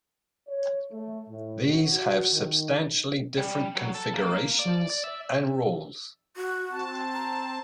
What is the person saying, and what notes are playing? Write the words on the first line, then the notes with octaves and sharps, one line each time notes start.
These have substantially different configurations and rules.
C#5
A3
A2
F#4
D#3
G3
F#3
A4
A#3
D5
D5
E5
F#4
C4 A5
A#5